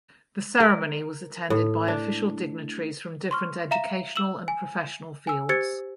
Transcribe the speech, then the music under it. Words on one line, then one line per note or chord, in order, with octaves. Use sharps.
The ceremony was attended by official dignitaries from different educational and professional fields.
A#4
A2
D4
C6 C#6 F6
E5 F5 A#5 E7
E6 E7 F#7
G#5
G#5 E6
G4 C5 E6 G#6 A6 C#7